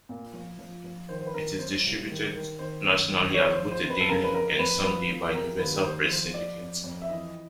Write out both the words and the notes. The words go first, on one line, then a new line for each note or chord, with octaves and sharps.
It is distributed nationally as both a daily and Sunday by Universal Press Syndicate.
A#2
F3
F3
F3
D#3 C5
C5
B4
D#3 A#4
F#2 C5
C2
D#3
D#3
D#3 C5
F#2
D#3
F3 C#5
C5
F3
C5
C3
B4
A4
C#3 A#4
B4
F2 A#4
F2 B4
F3 B4
F3
C3 A#4
D#2 B4
D#2 C5
F3 C5
F3 D5
F2
F2
E5
E3 D#5